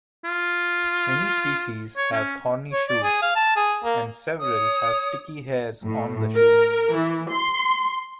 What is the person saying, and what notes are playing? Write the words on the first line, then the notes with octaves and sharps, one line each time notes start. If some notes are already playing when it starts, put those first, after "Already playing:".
Many species have thorny shoots, and several have sticky hairs on the shoots.
F4
C#5
C#4
C#5
D5
G#4
F5
A5
G#4
A#3
C#5 D#6
A2
A#4
E3
C6